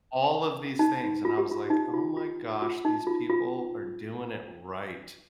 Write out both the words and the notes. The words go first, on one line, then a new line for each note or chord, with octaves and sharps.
all of these things, and I was like, "Oh my gosh, these people are doing it right."
D#4
F4
G4
F4
D#4
F4
F4
F4
D#4
F4
F4